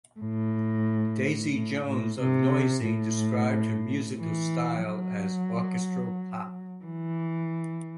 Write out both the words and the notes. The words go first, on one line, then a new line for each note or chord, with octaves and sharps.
Daisy Jones of Noisey described her musical style as orchestral pop.
A2
A2
A2
C3
A2
E3
F#3
E3